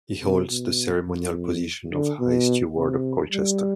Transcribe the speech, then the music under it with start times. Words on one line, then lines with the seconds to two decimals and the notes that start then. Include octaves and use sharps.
He holds the ceremonial position of High Steward of Colchester.
0.23 C3
0.51 B2
1.07 F2
1.92 D3
2.20 B2
2.76 C3
3.32 G3